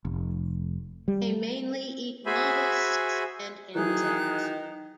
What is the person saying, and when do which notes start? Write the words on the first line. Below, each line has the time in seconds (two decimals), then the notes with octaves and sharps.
They mainly eat molluscs and insects.
0.05 F1
1.08 G3
2.26 F#4 G#4 C5 E5 G#5 B5
3.75 D#3 E3 F#3 D#4 G#4 F#6